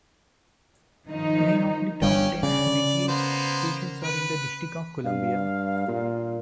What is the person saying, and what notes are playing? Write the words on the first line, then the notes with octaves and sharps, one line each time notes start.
Nine of the top ten busiest stations are in the District of Columbia.
D#3 F3 D#4
G1 G2 C#4 G5
C#3 D5
A#3 B3 C5
B4
G2 F5
A#2